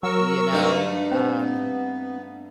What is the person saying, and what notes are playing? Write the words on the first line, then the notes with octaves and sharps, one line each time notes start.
you know, um,
F#3 A#4 C#6 E6
G2 A3 D#4
B3 C4